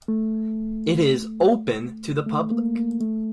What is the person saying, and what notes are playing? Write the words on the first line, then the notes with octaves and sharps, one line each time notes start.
It is open to the public.
A3
A3
A#3
A#3
A3